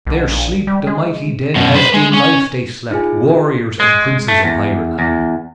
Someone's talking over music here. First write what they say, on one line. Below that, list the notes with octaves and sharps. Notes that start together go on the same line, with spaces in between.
There sleep the mighty dead as in life they slept, warriors and princes of high renown.
B1
A#1
G3
G#3
F#2 B2
B4 C5
G#3
C#4
D#4 F4 G#4 G#5
G#3
A3
E2
E2